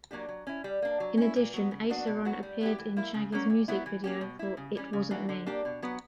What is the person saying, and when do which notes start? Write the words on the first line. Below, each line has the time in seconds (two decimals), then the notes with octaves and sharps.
In addition, Aceron appeared in Shaggy's music video for "It Wasn't Me".
0.11 F#3 A#3 D4 G4
0.29 F#3
0.47 C#4 E4
0.64 G3
0.82 A#3 D4
1.00 F#3
1.17 C#4 E4
1.36 A#2
1.54 F#3 B3
1.71 C#3
1.90 F#3 B3 D4 F#4
2.07 B2
2.25 F#3 B3 F#4
2.43 G3
2.61 B3 E4 G4
2.78 E3
2.97 A#3 E4
3.14 C#3
3.32 F#3 A#3 C#4
3.50 A#2
3.68 F#3 B3 E4
3.86 E3
4.04 A#3 C#4 G4
4.21 B2
4.39 A#3 E4
4.57 C#3
4.75 E3 G3 C#4
4.93 C#3
5.11 E3 A#3 D4 F#4
5.29 D3
5.46 A#3 D4 G4
5.65 B2
5.82 F#3 B3